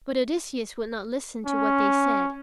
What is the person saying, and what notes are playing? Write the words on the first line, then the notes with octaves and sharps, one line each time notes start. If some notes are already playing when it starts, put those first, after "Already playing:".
But Odysseus would not listen to what they said.
C#4